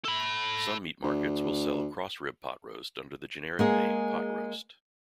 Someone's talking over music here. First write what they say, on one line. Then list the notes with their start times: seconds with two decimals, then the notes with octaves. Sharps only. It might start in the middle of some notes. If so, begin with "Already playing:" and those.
Some meat markets will sell cross-rib pot roast under the generic name pot roast.
0.05 A4 B5
1.04 D2
3.59 G#3 A#3 G#4